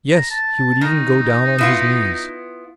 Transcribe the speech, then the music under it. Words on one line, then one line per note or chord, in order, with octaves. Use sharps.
"Yes, he would even go down on his knees."
A#5
A5
D#3 D#4
B3 E4 F4